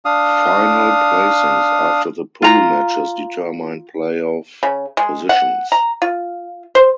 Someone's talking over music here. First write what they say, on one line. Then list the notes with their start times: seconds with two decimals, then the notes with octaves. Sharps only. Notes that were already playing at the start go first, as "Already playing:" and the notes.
Final placings after the pool matches determined playoff positions.
0.05 D4 F5 D#6
2.42 F4 A#5
4.63 C#3
4.97 G#3
5.29 F#5
5.72 A#5
6.02 F4
6.75 C5